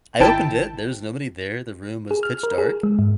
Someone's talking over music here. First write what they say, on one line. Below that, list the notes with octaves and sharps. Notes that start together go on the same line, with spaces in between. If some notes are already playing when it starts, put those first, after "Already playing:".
I opened it, there's nobody there, the room was pitch dark.
G#1 D#3 E4 G5 A5
G#4
F6
A#4
G#4
G#3
G#2